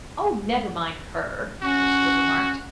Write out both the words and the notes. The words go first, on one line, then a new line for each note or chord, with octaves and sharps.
"Oh, never mind her," Hurstwood remarked.
C#4 F#4